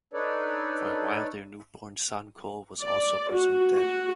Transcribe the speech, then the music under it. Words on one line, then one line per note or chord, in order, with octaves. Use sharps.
For a while, their newborn son, Cole, was also presumed dead.
D4 D#4 A4 B4 C#5 D5
D5
F#4
F#4